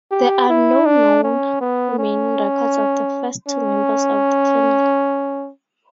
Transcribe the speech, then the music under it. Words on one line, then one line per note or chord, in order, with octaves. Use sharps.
There are no known remaining records of the first two members of the family.
G4
E4
D4
C#4
B3
C#4
C#4